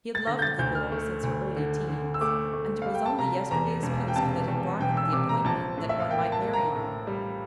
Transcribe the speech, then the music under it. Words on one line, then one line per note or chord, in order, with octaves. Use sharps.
He had loved the Girl since her early teens, and it was only yesterday's post that had brought him the appointment that one might marry on.
A6
D3 A#6
G6
A6
D2 G6
F6
A3
D2
D3
D3
E6
A3 D6
A3
G3 F5
G5
A5
C3 A#5
E2 A#5
E1
G5
C3 A5
E2
E1 G5
E6
C3 D6
A#5
A#1 A5
A2
E5
F5
A#3 G5
A5
A#3
A#5
A2
G3